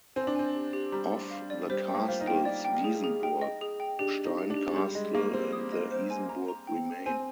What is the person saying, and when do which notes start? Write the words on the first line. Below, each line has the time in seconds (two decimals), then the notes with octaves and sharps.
Of the castles, Wiesenburg, Stein Castle and the Isenburg remain.
0.16 C4 G#5
0.27 D4
0.35 C4 G#5
0.55 G4
0.73 G4
0.92 G3 A#5
1.12 D5
1.31 F5
1.50 D5
1.70 G3 C5
1.88 G5
1.95 A#3
2.08 F4 C5
2.21 D#4
2.27 G5
2.45 D5
2.65 G5
2.84 G#4
3.04 G#4
3.23 G5
3.42 D#5
3.61 G#4
3.80 G5
3.99 D4 G4
4.18 G4
4.25 D#4
4.38 G4
4.50 D4
4.57 G4
4.71 G#3
4.76 G3 G4
4.95 G#3 D#5
5.14 A#3 G4
5.33 C4 G4
5.53 D#6
5.72 D#5
5.91 C5
6.10 G#5
6.29 A#5
6.48 A#5
6.67 G5
6.86 G5
7.06 C4 G#5